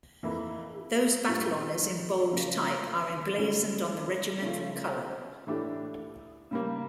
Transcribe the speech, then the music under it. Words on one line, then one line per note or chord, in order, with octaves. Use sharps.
Those battle honours in bold type are emblazoned on the regimental colour.
F2 E3 A#3 E4
A#2 G3 D4 F4
C#3 F3 A#3
D3 G3 C#4 F4
C#3 F3 A3 C#4 F4
A2 E3 A3 D4 G4
C#3 G3 A#3